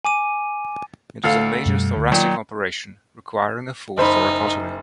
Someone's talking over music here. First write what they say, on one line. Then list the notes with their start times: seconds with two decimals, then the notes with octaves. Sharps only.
It is a major thoracic operation requiring a full thoracotomy.
0.05 G#5 D6 D#7
1.24 D2 A4 F5
1.65 F#2 B2 G3
1.96 D2
2.12 A#2 D#3 F#3
3.98 F#1 D#4 C5 B5